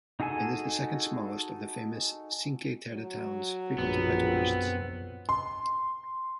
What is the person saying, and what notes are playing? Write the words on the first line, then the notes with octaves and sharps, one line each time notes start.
It is the second smallest of the famous Cinque Terre towns frequented by tourists.
D#4 F#4 G#4 A4 G#5
F#3
A#1 F#2 B2 B3 C4
C6